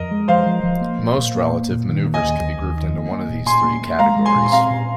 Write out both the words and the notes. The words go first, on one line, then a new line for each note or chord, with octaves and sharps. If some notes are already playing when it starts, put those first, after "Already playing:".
Most relative maneuvers can be grouped into one of these three categories.
Already playing: F2 A#4 D#5
G#3
F3 C5 F5
F3
F3
A#3
A#2
A#2
A#3
A#3
A#2
D#3
A#3
D#5 G#5
D#2
D#2
D#2
D#3
A#3
A#3
A#2
A#2 G#5 C6
A#3
A#3
G#3 F5 A#5
G#3
G#5 C6
A#2
C6
C4 F5 A#5
A#2